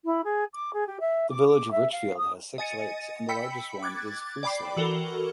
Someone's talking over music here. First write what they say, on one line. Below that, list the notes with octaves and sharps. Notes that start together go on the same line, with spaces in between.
The village of Richfield has six lakes and the largest one is Friess Lake.
E4
G#4
D6
G#4
G4
E5
D6
D6
E5
F5
D#6
D#5 G#5 A6 C#7 D#7
G5 B5 E6 B6 C#7
D6 F#6 G#6 A6
D5 G5 B5 D6 C7
E3 F#4 A4 A#4 G7